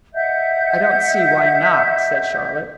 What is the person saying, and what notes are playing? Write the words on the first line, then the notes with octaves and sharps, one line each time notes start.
"I don't see why not," said Charlotte.
D#5 E5 F#5 G6